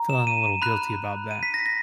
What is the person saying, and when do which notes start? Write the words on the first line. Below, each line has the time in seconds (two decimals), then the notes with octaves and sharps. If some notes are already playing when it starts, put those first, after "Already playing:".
feeling a little guilty about that.
Already playing: A#5
0.10 E7
0.27 D#7
0.62 B5 F#6
1.31 D#7
1.43 B6
1.54 A#6
1.66 A#6